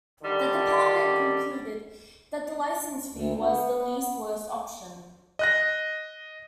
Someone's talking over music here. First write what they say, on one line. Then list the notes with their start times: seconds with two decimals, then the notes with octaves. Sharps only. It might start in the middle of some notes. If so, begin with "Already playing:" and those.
The Department concluded that the licence fee was "the least worse option".
0.23 D3 D#3 G3
3.11 D2
3.39 B3
5.39 D#5 F#6 A#6